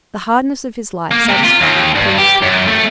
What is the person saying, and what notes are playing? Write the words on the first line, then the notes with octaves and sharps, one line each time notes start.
The hardness of his life satisfied and pleased him.
A#3
C3
F4
D#2
G2
G4
F#2
A3